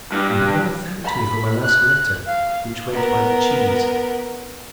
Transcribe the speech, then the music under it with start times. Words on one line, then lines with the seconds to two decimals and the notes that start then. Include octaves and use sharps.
You have never thanked me for my last letter, which went by the cheese.
0.12 G2
1.05 B5
1.63 F#6
2.27 F5
2.93 B3 A#4